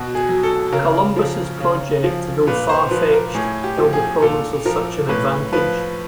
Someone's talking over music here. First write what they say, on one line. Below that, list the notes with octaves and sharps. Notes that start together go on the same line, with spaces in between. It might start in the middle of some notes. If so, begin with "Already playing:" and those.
Columbus's project, though far-fetched, held the promise of such an advantage.
Already playing: B2 F#4
G#4
F#3
A4
C#3 A#4
F3
C#3
F3
A#2 B4
C5
F3 B4
A#4
A2 G#4
G4
F3
G#4
A#2 A4
F3 A#4
A2 B4
F3 B4